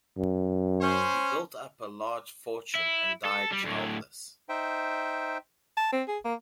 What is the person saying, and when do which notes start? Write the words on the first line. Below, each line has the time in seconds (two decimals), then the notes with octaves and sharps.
He built up a large fortune and died childless.
0.18 F#2
0.80 C#4 C5
2.75 E4
3.25 A4
3.52 G3
3.64 D2 A2
4.49 D#4 C5 E5 G5
5.77 A5
5.92 C4
6.08 G#4
6.24 A#3